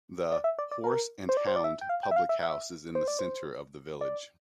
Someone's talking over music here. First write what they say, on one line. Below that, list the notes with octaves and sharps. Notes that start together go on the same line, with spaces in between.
The "Horse and Hound" public house is in the centre of the village.
D5
E5
D5
D5
A#4
C5
D5
C5
D5
E5
G5
F5
G5
E5
F5
E5
E5
C5
D5
C5
D5